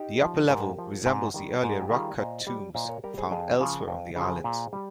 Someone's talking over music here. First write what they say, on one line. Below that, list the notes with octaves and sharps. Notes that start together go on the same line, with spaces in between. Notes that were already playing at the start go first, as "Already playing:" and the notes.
The upper level resembles the earlier rock-cut tombs found elsewhere on the Islands.
Already playing: D#4 G4
F3
G#2 G4 A#4
F3
G#2
D#3 G3
G#2 A#4
G#4
G4
D#3 G3 F4 G#4
A#2 C5 D#5
G3
A#2 C5 D#5
A#4 C#5
G3 G4 A#4
G#4 C5
F2 G#4 C5
C#3 F3 F4 G#4
F2
C#3 G#4 C5
F3
A#2
G3